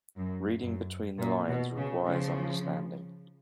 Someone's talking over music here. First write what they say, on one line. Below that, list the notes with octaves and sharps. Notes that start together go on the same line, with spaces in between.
Reading between the lines requires understanding.
F#2
F#2
A#2
B2
C#3
C#3 F3